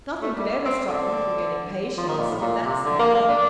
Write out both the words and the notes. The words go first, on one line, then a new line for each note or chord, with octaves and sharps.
Nothing could ever stop you from getting patients--with that smile!
A3
G3
C4
D3
F3
D#3
A#2
A2
A#2
C3
D3
A#3
A#3
D4